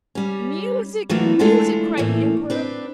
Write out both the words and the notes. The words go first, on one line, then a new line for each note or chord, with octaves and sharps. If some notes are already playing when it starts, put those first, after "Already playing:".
"Music! music!" cried the Emperor.
G3 C#4
E3 F#3 A3 A#3 D4 F4
G#3 A3 D4 E4 F4 A4
A2 E3 A3 A#3
C4 D4 B4